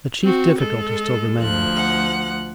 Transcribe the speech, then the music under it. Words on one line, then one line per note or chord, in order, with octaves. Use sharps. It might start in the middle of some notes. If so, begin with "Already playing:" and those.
The chief difficulty still remained.
C4 F#4
G#3 A4
D2 F3 F#6
F#5